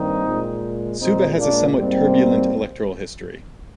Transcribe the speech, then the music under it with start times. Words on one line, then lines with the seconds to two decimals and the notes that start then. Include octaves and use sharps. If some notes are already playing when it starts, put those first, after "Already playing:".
Suva has had a somewhat turbulent electoral history.
Already playing: G2 D#3 G3 A#3 C4 D#4
0.26 A#2 G#3
1.01 A#2 G#3 C4 D#4
1.39 A#3 D4
1.77 G#2 G3 A#3 C4